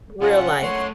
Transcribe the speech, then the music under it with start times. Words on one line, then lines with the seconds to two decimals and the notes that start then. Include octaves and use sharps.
Real life.
0.21 B1 C#4 F4 F#5
0.63 F#2 A3 C#5 C6